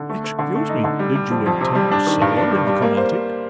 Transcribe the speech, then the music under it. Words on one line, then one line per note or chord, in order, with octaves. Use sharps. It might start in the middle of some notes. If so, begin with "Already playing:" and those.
"Excuse me, did you intend to sail in the Carnatic?"
Already playing: D3
A3
A3
D3
A3
D#4
D3
G3
G3
F2
F2
C3
G3
D4
D#3
G2
D4
G3
G3
A#3
C5